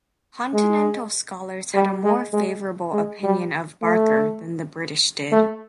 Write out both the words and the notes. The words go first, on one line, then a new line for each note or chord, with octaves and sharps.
Continental scholars had a more favourable opinion of Barker than the British did.
G#3
G3
G#3
G#3
G#3
G3
A3
A3